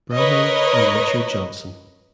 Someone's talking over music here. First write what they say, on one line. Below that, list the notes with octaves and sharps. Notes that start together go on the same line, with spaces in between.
Branham and Richard Johnson.
A#4 B4 C#5 D#5